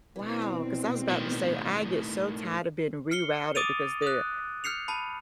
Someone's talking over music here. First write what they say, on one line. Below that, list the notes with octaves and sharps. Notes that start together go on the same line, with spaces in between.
Wow, 'cause I was about to say I get so tired of being rerouted because they're
B2 E3 C4 D4
A2 D#3
F6 C7 C#7 G7
D6 D#6 A6 D7 D#7 F7
D#6 F#6
F6 G6 C7 C#7 F7
A5 B5